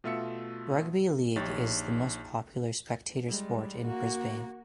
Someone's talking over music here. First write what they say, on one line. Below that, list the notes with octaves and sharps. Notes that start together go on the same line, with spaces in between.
Rugby league is the most popular spectator sport in Brisbane.
B2 A3 F4 E5 E6 C#7
A#1 D#4 G4 C#5 A6
G3 G#3
A#3 F#4